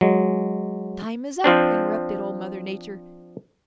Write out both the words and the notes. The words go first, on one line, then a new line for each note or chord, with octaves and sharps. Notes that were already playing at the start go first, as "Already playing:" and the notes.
"Time is up," interrupted Old Mother Nature.
F#3 G#3
F3 C4 D4